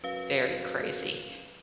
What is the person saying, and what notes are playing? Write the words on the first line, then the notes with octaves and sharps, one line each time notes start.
very crazy
F#2 B4 F5